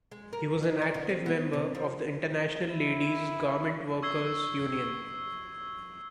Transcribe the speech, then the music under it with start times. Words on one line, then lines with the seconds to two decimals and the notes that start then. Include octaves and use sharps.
He was an active member of the International Ladies' Garment Workers Union.
0.11 G#3
0.33 A#4
0.63 D#4
0.82 D5
0.94 D3
1.09 C4
1.26 B3
1.53 C3
1.75 F3
2.69 E4
4.02 C#6 E6 G#6 C7 G7